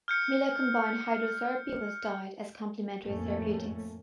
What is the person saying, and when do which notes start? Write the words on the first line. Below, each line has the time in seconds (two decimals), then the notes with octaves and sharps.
Miller combined hydrotherapy with diet as complementary therapeutics.
0.08 F6 G6 C#7
3.05 F2 A2 A3 A#3 C#4